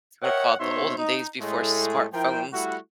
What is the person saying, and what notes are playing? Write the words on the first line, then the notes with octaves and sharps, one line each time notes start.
was gonna call it the olden days before smartphones,
A#4 C#5 D#5 E5 F#5 G5
B2 D#4 C5 C#5 E5 C6
D#4
A2 G#3 A3
F3 E4 A#4 G5
G3 A3 E4 F#4